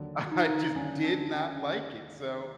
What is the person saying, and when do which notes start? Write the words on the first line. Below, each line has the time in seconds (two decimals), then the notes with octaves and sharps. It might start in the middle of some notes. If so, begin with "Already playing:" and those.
I just did not like it, so
Already playing: D#2 D3 F#3
0.31 D#4
0.75 D#2 D3 F#3 C#4
1.04 D4
1.33 C#4